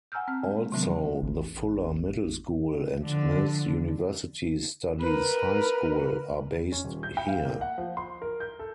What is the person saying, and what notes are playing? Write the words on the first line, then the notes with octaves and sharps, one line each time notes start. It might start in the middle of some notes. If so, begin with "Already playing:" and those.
Also, the Fuller Middle School and Mills University Studies High School are based here.
F#5 G#5 A#5 E6 F6 G6
C4 A5 F6
G#3
C3 D#3 F#3 B3 C#4
A1
D3 F3
A#4 B4
C#4
D#1
G6
G5
F5
A#3
F#5
F3
C6
A#4
G6
A4